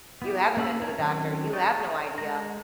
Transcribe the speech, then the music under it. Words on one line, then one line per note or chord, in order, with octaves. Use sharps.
You haven't been to the doctor, you have no idea,
B3 E4 G4
A#3 C#4 G#4 B5 E6
E4 A#4 C#5 A5 A#5
D#3 F#3 C4 C#4
C#5 D#5 G5 A5
G#3 A#5